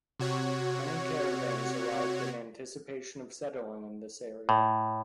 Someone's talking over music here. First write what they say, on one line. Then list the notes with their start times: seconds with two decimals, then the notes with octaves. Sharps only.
Many caravans arrived in anticipation of settling in this area.
0.19 C3 F#4 C#5
4.49 A2